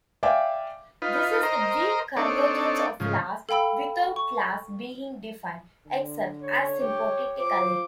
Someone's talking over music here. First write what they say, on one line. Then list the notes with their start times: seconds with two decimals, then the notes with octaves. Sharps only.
This is the "weak convergence of laws without laws being defined" - except asymptotically.
0.23 D5 E5 F5 G5 G#5 D6
1.02 D#4 F4 B4
1.43 A#4 C5 D#5 A#5
2.17 C4 D4 D#4 A4 C#5 D5
3.00 G#2 C#3 F3
3.49 A4 F5 G5 B5 E6
4.16 C#6
5.87 D3
6.42 C#5
6.81 G4
7.39 F4 C5 D6